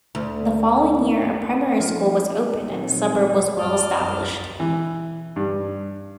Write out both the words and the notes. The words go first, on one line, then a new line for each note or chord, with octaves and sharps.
The following year a primary school was opened and the suburb was well established.
D2
F3 D#4
A#2 D#3 F#3 C4
F#2 D#5 A5 D6 F6
E3
G2